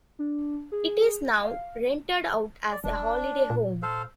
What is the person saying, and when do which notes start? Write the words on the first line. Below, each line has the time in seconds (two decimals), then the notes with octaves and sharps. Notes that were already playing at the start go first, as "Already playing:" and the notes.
It is now rented out as a holiday home.
0.19 D4
0.72 G#4
1.43 F5
2.71 D5
2.84 E1 D4
3.50 A#2
3.82 A4 C5 F5